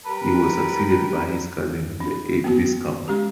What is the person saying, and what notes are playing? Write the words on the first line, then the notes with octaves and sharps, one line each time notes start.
He was succeeded by his cousin, the eighth Viscount.
G3 A#4 B4
D4
A#3 B3 F#4
G#3 C#4 G4